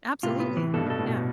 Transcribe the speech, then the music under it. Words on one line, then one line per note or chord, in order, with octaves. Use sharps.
Absolutely. Yeah.
A2 C3 F4
B3
E3
G2 B2 A4
G2 B2 A4
A2
B2